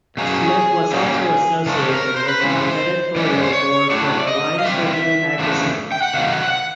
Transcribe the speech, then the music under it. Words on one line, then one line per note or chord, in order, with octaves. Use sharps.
Smith was also associated with the editorial board for the Lines Review magazine.
B2 F#3 A#3 C#4 G#4
A#2 G3 A#3 C#4
C#3 F3 G#3 C#4 A4
A#4
C5
B4
C#3 E3 G#3 C4 C5
F#2 D#3 G#3 C#4 D5
C5
C#5
A2 F#3 A3 D4 D5
D#5
F5
D3 G3 C4 E5
E2 C#3 F3 A3 D4
G5
F#5
C3 D#3 F#3 A3 F5
F#5
F#5